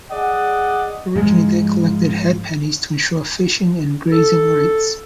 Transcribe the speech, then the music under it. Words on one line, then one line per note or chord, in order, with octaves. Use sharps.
Originally they collected 'head pennies' to ensure fishing and grazing rights.
G#4 D5 D#5 F#5
G#2 F3 G#3
A4